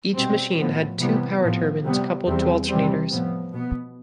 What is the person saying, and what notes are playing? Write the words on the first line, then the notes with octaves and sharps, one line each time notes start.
Each machine had two power turbines coupled to alternators.
B2 G3 C4
A2 F3 B3
C3 E3 G3 B3
A2 F3 B3
C3 G3 B3
E2 C3 G3 C4
C3 E3 G3 C4
A2 F3 B3
B2 B3